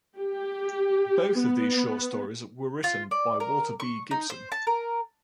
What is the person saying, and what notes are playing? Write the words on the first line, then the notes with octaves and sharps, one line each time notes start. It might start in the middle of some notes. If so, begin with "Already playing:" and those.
Both of these short stories were written by Walter B. Gibson.
G4
B3
F4
D5
A#4
C#6
D#4
C5
A5
A#4